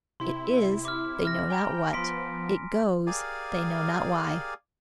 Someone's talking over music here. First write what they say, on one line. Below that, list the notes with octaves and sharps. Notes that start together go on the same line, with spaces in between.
It is, they know not what. It goes, they know not why.
C3 E4 C6
D6 F6
F6 A#6
G5 G#5 A#5 B5
F3 B3 C6 B6 D7
G4 G#4 A#4 D5 F5 G#5